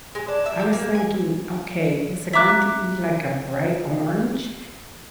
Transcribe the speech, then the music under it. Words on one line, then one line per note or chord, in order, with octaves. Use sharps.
I was thinking, "Okay, is it going to be, like, a bright orange?
G#3
D4
E5
G4
A#3
G#5
E5 A#5 D6 F#6